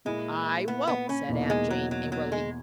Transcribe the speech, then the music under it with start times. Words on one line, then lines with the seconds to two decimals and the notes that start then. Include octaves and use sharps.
"I won't," said Aunt Jane, angrily.
0.05 A#2 G#3 A#3 E4
0.68 B3
0.88 B3
1.09 C#4
1.29 E2 B2 A#3 D#4
1.50 G#3
1.71 F#3
1.91 F#3
2.12 F#3
2.32 G#3